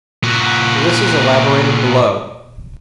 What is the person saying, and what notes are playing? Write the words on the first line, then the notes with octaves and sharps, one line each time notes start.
This is elaborated below.
A#2 F#4